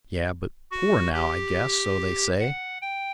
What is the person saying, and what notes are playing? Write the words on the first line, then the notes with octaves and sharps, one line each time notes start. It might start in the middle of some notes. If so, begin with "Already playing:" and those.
"Yeah, but poor now, I guess; so they say."
F#4
G4
F#5
G5